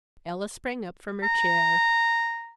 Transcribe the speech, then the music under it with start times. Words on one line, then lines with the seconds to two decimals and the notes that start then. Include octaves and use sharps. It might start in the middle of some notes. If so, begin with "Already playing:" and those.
Ella sprang up from her chair.
1.23 A#5